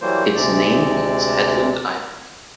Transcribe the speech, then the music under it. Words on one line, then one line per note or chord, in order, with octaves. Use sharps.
Its name means 'headland island'.
E3 F#3 G3 A#3 C5
D2 C3 G#3 D5